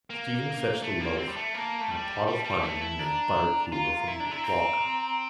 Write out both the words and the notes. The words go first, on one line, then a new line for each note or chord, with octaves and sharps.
Stephen fetched the loaf and the pot of honey and the buttercooler from the locker.
A#3
A3
A#3
C4
G3
A3
A#3 A5
A3
G3
G3
G3
A3
E4
D4 A#5
F4
E4
D4
E4
C4 A#5